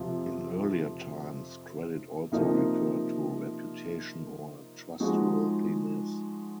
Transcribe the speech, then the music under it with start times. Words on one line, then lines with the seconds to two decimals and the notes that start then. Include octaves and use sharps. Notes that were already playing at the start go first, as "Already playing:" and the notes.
In earlier times, credit also referred to reputation or trustworthiness.
Already playing: F2 C3 F3
2.32 C3 F3 A#3 D#4
5.00 F3 G#3 D#4 F#4